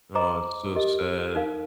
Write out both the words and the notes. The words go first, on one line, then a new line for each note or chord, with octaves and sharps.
Oh, it's so sad.
C5 D#5 A#5 D6
G4 A#4 D#5
D#4 A#4 F5